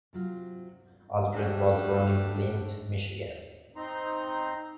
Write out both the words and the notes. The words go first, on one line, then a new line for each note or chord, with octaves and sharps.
Aldred was born in Flint, Michigan.
C3 F#3 F4
F#3 G3 A3 D4
C4 D#4 A#5 C6